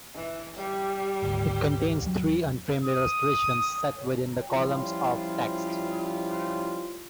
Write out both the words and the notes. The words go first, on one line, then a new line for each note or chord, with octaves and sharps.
It contains three unframed illustrations set within the columns of text.
E3
G3
G#1 D2
D#2 F#3
D#6
F3 G3 C#4 E4 F4